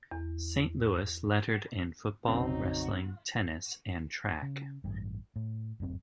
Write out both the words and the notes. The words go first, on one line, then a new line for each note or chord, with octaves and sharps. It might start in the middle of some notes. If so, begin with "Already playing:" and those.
St.Louis lettered in football, wrestling, tennis, and track.
E2
A#1 F2 C#3 F#3 C4 D#4
C#3
A1 G2
A2
D1 G1 F#2 C4